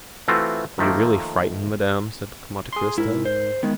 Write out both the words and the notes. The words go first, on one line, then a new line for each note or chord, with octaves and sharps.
"Are you really frightened, madame?" said Monte Cristo.
E3 A3 C4 F4 F#4
D#3 F3 A3 A#3
G#4 C6
G#2 E4 A#4
C5
D#3 G#3 B3